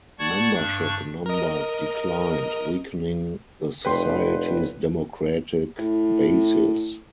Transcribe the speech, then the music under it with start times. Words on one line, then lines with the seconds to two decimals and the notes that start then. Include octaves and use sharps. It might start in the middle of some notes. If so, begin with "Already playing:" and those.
Membership numbers declined, weakening the society's democratic basis.
0.19 D5 F#5 A5 C#6 G#6
0.54 G2 D4 C#6
1.26 A#4 D#5
3.85 F1 B4 G5 C6
5.78 A2